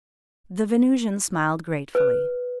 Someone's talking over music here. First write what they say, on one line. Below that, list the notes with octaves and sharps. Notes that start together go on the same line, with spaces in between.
The Venusian smiled gratefully.
B4